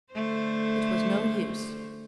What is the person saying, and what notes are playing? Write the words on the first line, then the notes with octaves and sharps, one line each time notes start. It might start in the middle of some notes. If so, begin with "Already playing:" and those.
It was no use.
D3 A3 C5